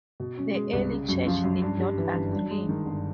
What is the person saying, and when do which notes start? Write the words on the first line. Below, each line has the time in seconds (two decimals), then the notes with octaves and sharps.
The early Church did not agree.
0.20 B2
0.37 C#4
0.55 G#3
0.73 C2
0.90 C#3
1.08 F#2
1.27 F3
1.44 F#2
1.62 G2
1.80 G3
1.98 E3
2.15 G1
2.33 G2
2.51 G#3
2.69 D#3
2.86 G1